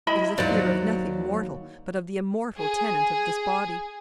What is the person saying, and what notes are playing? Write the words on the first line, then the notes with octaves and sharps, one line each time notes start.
It is a fear of nothing mortal, but of the immortal tenant of this body.
E4 D#5 B5
D#2 F#3 C5 D5
G#4